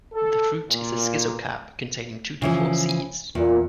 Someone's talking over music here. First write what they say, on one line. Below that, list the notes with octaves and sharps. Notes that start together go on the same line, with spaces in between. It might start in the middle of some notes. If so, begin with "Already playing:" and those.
The fruit is a schizocarp containing two to four seeds.
A4
A#2
C#3 E3 F3
E2 A#2